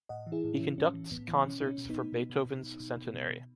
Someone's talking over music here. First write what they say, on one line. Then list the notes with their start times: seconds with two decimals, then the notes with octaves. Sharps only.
He conducts concerts for Beethoven’s centenary.
0.09 A2 D#5 F#5
0.27 E3
0.32 E4 G#4
0.44 A2
0.55 C#4 E4
0.60 E3
0.78 A2 C#4
0.94 E3
1.11 A2 B3
1.28 E3
1.45 B2 C#4
1.61 B2 D#4
1.67 C#4
1.78 B2
1.89 B3 D#4
1.96 B2
2.12 B2
2.30 B2
2.46 B2
2.63 B2
2.80 B2
2.97 B2
3.14 B2
3.30 B2